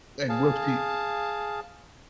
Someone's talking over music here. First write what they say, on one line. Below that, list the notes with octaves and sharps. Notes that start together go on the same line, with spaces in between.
and will she m
G#4 F5 A5